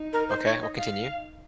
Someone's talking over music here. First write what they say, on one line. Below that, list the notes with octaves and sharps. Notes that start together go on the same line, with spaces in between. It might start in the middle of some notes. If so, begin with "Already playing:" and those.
Okay, well, continue.
Already playing: D#4
A#4
C5
C#5
D#5
F5